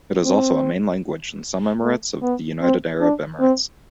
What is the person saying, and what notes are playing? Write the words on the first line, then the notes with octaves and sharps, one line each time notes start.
It is also a main language in some Emirates of the United Arab Emirates.
C4
A3
B3
C4
D4
C4